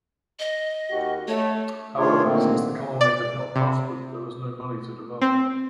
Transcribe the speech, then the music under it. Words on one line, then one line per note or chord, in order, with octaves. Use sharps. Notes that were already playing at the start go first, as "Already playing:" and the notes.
However, since the colony had not prospered, there was no money to divide.
D#5
D#2 F#4 G4
A3 C#5
D#3 A3 D4 F4 G#4 C#5
A#2 D3 D#3 A3 A#3 C4
D5
C3
C4